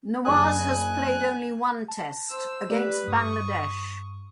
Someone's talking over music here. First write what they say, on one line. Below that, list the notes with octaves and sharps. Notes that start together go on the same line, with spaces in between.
Nawaz has played only one Test, against Bangladesh.
F#1 D4 G#5 D#6 F#6
A5
C5 E6
A3 G4 B4 D5
G2 C#6 D#6